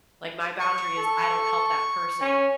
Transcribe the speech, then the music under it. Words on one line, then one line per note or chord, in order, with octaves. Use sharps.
Like, my boundary is I don't help that person,
C#6
A4
C#4